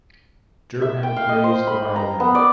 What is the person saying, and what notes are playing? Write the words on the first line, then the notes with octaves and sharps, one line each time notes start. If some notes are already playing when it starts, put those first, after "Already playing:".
Derham plays the violin.
E5
G5
F5
D#5
C5
B5
A#5
B3
D5